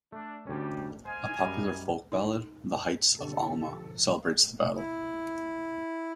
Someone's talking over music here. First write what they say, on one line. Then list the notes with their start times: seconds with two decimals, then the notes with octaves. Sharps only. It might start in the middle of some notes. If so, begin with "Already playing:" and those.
A popular folk ballad, The Heights of Alma, celebrates the battle.
0.12 A3 D4
0.47 D2 G3 C#4 G4
1.05 C5 D#5 F5 G#5
1.39 F#2 G3
2.12 D#4
3.19 B2 D3 G4 A4
3.73 F3
4.77 E4